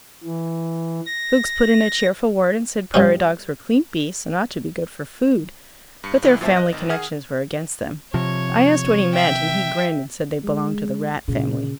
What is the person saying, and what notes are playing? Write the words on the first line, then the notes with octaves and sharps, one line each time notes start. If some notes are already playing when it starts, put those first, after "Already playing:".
Fuchs put in a cheerful word and said prairie dogs were clean beasts and ought to be good for food, but their family connections were against them. I asked what he meant, and he grinned and said they belonged to the rat family.
E3
A#6
G2 C3 C#4
G2 C#7
C2 G2 E3
A#2 F#3 C#4 C5 E5 A5
D#5 F#6 A#6
G#1 D#3
D#3 G#4 F#5 D#6 F6 G#6
C3 F3 C#5
E5 G5
G#3
A#2 C#3